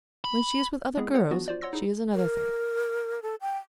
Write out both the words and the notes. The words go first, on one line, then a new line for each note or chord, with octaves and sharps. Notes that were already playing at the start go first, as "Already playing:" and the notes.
When she is with other girls she is another thing.
B5
G#3 B3 C4 E4 G#4
G#4 B4 C#5 F#5
E3 F3 B3 D4 F4 F#4
F4 C5 D5
C#5 F#5 C6 E6 A#6
D#4 E4 G#4
A#4
A4
G5